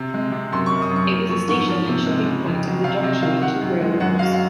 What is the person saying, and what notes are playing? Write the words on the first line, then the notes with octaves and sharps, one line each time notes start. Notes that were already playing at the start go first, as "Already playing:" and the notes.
It was a station and shipping point at the junction of two railroads.
Already playing: C3
G#3
C3
F#2 C6
C#6
F#2
D#6
F#2 C#6
A#3
F3 C#6
G#2 C#6
F3
C3
G#3
C#3
F2
F#3
C3 F5
C3 D#5
D#3 F5
D#3 F#5
F#2
G#3
F#2 F#5
F#3 F5
F5